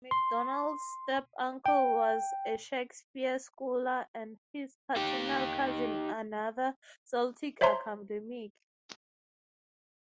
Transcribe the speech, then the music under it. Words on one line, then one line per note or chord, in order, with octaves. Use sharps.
MacDonald's step-uncle was a Shakespeare scholar, and his paternal cousin another Celtic academic.
C6
G5
D#4 G4
C5 C#5 E5 A5 A#5 C6